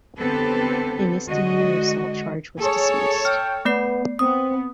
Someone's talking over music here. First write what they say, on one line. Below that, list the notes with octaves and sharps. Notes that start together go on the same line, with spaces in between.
A misdemeanor assault charge was dismissed.
D3 B3 C4 G4 A4 B4
D3 G#3 F#4 D#5
G#4 A4 C#5
G5 F6
A3 B3 D5 C7
B3 C4 D#6